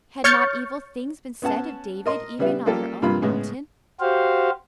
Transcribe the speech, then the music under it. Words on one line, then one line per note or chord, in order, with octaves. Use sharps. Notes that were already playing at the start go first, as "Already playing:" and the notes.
Had not evil things been said of David even on her own mountain?
C#5 C#6 F6 G6 A6 C#7
B3 C#4 F#5 A5
A#4 D#5 C6
C#3 G3 B3 B4 E5
G3 A#3 C#4 F4 G4 A4
G2 C3 A#3 F4 B5
A2 C#3 G#3 B3 C#4
F#4 G4 C5 F5